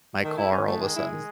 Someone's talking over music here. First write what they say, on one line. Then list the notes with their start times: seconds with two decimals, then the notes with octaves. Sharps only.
my car all of a sudden s
0.23 D#3 A3
0.38 E4
0.52 C#4
0.67 G#3 A3
0.82 D#3
0.96 E4
1.11 D#3